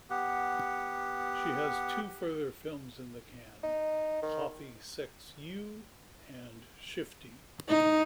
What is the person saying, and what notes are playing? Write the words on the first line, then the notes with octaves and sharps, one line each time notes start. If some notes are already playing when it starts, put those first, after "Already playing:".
She has two further films in the can, "Coffee Sex You" and "Shifty".
B3 G4 F#5
D#4
D#3
D#4